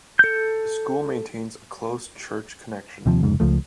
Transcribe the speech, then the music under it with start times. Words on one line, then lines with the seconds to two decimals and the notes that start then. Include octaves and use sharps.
The school maintains a close church connection.
0.19 A4 G6
3.06 D#2 C3 F3
3.23 F1 C#2 G#2
3.40 C#2 F3 A3